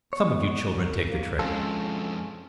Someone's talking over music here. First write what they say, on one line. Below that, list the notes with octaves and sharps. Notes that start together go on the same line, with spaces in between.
Some of you children take the trick.
B3 C#5
A#3
F2 G#3 C#4 F4 A4